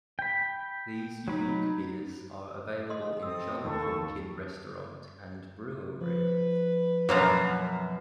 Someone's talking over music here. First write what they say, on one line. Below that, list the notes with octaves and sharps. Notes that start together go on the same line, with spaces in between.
These unique beers are available in Jolly Pumpkin Restaurant and Brewery.
G5 B5
F#3 D#4 B5
D#5 C6 D#6
C4 A4 D#6 E6
D#2 A4 C#6
F3 B4
F#2 B2 F#3 A#3 A#5